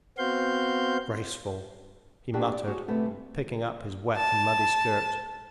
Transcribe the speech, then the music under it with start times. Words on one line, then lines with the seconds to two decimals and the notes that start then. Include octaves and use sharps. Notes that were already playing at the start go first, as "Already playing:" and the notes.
"Disgraceful!" he muttered, picking up his wet and muddy skirt.
0.18 B3 C4 F#4 F5 C6 G6
2.33 B2 A#3 D4 F#4 G4 A4
2.52 D5
2.66 F#4 G#4 C#5
2.88 C3 A3 B3
3.06 G2
4.16 A5